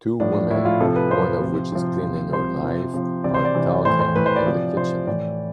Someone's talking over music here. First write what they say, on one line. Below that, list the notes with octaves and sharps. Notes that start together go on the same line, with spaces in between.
Two woman, one of which is cleaning her knife, are talking in the kitchen.
A2 F3 D4
A2 F3 E4
F4
C3 F3 A4
B4
C3 F3 C5
C3 F3
C3 F3
C3 F3
C3 F3 C5
C3 F3
C3 F3
C3 E3 D5
C5
D5
C3 E3
A2 E3 C5
C5
A2 E3 B4
C5
D5
C3 F3
C3 F3 C5
A2 E3 D5